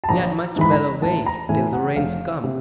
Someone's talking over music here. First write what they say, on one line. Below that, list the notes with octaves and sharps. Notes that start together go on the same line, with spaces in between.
We had much better wait till the rains come.
A5
A#1 A#5
G#2 E3 B5
A#5
A1 A5
A#5
A2 E3 G#5
F#5
F1 F5
C3